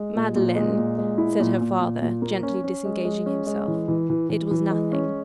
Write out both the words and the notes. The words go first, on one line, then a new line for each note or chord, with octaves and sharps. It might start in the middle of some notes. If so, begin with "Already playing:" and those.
'Madeline,' said her father, gently disengaging himself, 'it was nothing.'
Already playing: G#3
A#2
A#2
G#3
A#2
G#3
E4
A#2
A#2
A#2
A#2
A#3
C#4
C#4
G#3
G#3
C#4
G#3
E3
E3
E3
E3
E3
G#3
C#4